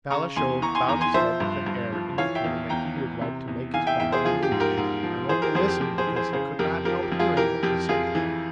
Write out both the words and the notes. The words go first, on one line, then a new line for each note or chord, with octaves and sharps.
Balashev bowed his head with an air indicating that he would like to make his bow and leave, and only listened because he could not help hearing what was said to him.
C#3 A#5 C#6
E2 G#5 C6
E3 A#5 C#6
G#5 C6
E2 A#5
G#5 C6
F3 C5 E5
G2
G2
F3
E3 C#5 F5
E5 G5
E2
E2 G5 A#5
E3
C3
E2
E3 F5 G#5
E5 G5
E2 E5 G5
G#4 C5
F3 F4 G#4
G4
G#2
G4 A#4
G#2
F3
E3 G#4 C5
G4 A#4
F2 G#4 C5
G4
F2 G4
G#4 C5
E3
G#4 C5
C#3 G#4 C5
F2 G4 A#4
F3 G4 A#4
G4
F2
F4 G#4
E3 G4 A#4
F2 G4
F2 F4 G#4
E3